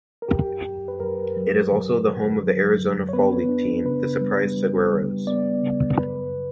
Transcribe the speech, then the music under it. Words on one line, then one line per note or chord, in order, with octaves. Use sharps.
It is also the home of the Arizona Fall League team, the Surprise Saguaros.
A#4
F#2 G4
F#2
B4
F#2 A#4
F#3
D3
D3
F#3
F#2
C#5
B3 B4
D4
C#3 B4
G3
G3
G3
B3 D5
C#3
F#2 B4